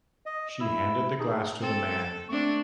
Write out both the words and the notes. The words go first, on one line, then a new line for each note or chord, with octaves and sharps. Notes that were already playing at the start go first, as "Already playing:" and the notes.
She handed the glass to the man.
D#5
E4 E6
D#4 G#4
C4 A4
A3 C4 D4 C#6